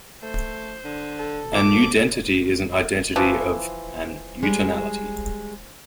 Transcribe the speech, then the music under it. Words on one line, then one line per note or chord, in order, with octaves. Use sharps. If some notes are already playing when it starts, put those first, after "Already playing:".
"An udentity is an identity of an utonality".
A3 C5
D3
A4
A#2 D6
E3 F3
G3 G#3